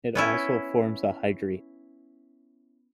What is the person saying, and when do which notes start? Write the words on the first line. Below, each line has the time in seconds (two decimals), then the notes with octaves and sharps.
It also forms a hydrate.
0.15 B3 C#4 E4